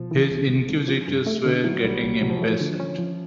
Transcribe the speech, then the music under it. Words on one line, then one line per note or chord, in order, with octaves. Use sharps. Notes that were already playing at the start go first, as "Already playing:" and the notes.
His inquisitors were getting impatient.
Already playing: B2 F3
E3
G#1
G#1
G#2
F3
G2
A3
D3
E3 F#3
C2 G3
C2
C3 F#3
F3
E3
F3 A3
D3
C#4
F3